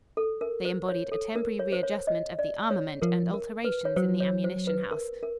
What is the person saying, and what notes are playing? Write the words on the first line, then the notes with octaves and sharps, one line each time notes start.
They embodied a temporary readjustment of the armament and alterations in the ammunition house.
A4
A#4
C5
C#5
A4
A#4
C#5
C5
C#5
D#5
D5
C#5
F3 A#4
A#4
B4
C#5
F#3 C5
C#5
C5
B4
A#4
A#4